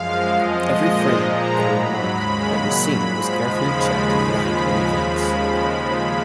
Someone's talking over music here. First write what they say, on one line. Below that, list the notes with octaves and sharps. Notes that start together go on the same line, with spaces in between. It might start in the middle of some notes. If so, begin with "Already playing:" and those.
Every frame, every remark, every scene was carefully checked and aligned in advance.
Already playing: F#2 F3 G#3 F5
F2 F3 G#3 D#5
A#2 F3 G#3
A#2 F3 G#3 A#5
G#2 F#3 B5
D#2 C#3 G#3 B5
A#2 F#3
G#2 F3 G#3
D#2 C#3 F3 G#3 B5